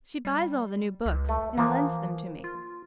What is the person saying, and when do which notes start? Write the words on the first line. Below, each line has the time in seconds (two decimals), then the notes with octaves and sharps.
She buys all the new books and lends them to me.
0.25 G3
1.06 C#2
1.29 A3
1.57 E3 F3 A#3
2.44 F4